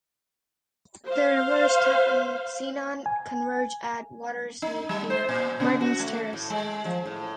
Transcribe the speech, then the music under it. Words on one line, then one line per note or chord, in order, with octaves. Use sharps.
The rivers Taff and Cynon converge at Watersmeet near Martin's Terrace.
C5 F5
G#5
D#4
G3
C5
A#2
C#3
F#4
A3
A2
G#3
F3
A2